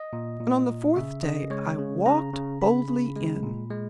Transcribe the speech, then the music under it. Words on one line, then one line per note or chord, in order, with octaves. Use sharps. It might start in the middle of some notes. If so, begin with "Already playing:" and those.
And on the fourth day I walked boldly in.
Already playing: D#5
A#2
A#2
A#2
C#3 E5
C#3 D#5
G#3 C#5
C#3
C#3 A#5
C#3
C#3 B5
C#3
G#3
A#2
G#3